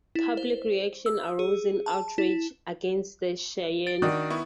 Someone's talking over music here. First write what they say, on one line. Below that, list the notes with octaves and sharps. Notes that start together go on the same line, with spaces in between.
Public reaction arose in outrage against the Cheyenne.
E4
C5
E6
G#4
A5
E4
A6 D7
D#3 D4 F#4 D5
B3 E4 C#6